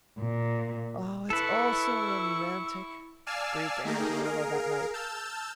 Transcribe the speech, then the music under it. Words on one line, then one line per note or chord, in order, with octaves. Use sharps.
"Oh, it's all so romantic," breathed Anne to Marilla that night.
A#2
E4 A4 B4 C#6 E6
D5 F5 G#5 A5 E6 F6
A3 A#3 D#4 G4 G#4 A#4
G#4 A#4 F5
A5 E6 F6 G6 A6